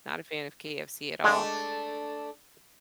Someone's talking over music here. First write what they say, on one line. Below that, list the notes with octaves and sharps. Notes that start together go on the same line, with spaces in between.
not a fan of KFC at all,
G#3 A3 D4